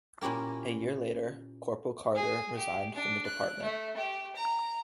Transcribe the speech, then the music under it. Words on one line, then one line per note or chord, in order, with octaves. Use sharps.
A year later, Corporal Carter resigned from the department.
A#2 C#4 E4 G4 A#4
G#4
G4
D4
F#6
A3
G4
A#5